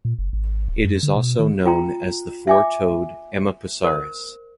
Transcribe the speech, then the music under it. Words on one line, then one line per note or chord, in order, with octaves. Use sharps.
It is also known as the four-toed Amapasaurus.
A#2
F#1
G#1
D1
F#2
D3
B2
D#3
F4 G5 A#5
E5 G#5 D6
A#4 C5